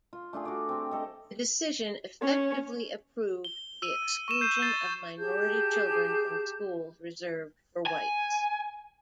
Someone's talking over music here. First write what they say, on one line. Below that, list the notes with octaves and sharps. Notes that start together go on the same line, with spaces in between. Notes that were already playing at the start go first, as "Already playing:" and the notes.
The decision effectively approved the exclusion of minority children from schools reserved for whites.
F4
A3 D4 F4 G#4
F#4 D5
C4 G4
G4 A4 D#5
C#4
G7
E6 D#7
C#6 D#7 E7
G6 C7 D#7
A6 C7 G7
G4 G#4 A5 G6
G#5